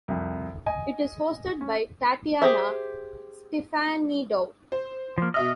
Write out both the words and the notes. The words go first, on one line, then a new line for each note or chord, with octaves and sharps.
It is hosted by Tatiana Stefanidou.
C2 F2
D#5 G#5
C#4
G4 G#4 C5 E5
C5
F3 A#3
B2 D#5 E5 F6